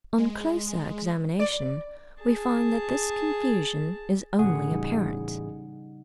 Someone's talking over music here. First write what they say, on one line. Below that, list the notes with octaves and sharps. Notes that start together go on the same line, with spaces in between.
On closer examination we find that this confusion is only apparent.
G#3
D5
G#4 A5
A1 C#3 G#4 F#5
G3 D#4